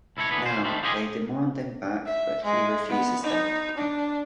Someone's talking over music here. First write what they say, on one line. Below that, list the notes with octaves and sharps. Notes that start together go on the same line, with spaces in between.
Now, they demand them back, but he refuses them.
C#2 E4 A4 B4 C#5
D3 E3 G#4 B4
C#3 C5
D#3 F3 G3 A3 C4 D4
F4 G4 G#4 D#5 E5 G#5
E5
G#3
B3
D#4
D4